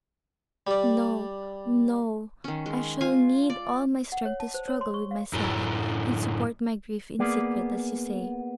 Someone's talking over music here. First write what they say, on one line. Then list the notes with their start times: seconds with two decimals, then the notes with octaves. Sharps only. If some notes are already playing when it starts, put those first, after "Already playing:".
No, no; I shall need all my strength to struggle with myself and support my grief in secret, as you say.
0.67 G3 D5
2.44 D#3 C#4
2.66 G#3
3.01 F4 G#5
3.50 D5
4.12 F#5
4.26 C#5
4.40 A5
4.54 C5
4.68 C#5
4.81 C6
4.94 C#6
5.11 F5
5.33 F#2 A2
7.19 A#3 B3 G#4 D5